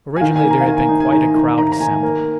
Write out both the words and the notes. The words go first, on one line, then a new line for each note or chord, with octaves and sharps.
Originally there had been quite a crowd assembled.
G#5
D#3 F5
G#5
A#3
A#5
F5
D#3 G#5
G#5
D#4
G#5
D#3 A#5
D#3
D#4 A#5
A#5
D#3 G#5
A#3